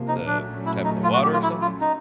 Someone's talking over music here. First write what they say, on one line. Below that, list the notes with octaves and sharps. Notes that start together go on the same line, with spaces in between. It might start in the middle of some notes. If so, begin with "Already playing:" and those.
the type of the water or something.
Already playing: C3 F3 A#3
D#4
A#2 F#3 A3 C#4 D4
E4
D#4
F4
F#4
G4
F4
E4
F4
D#4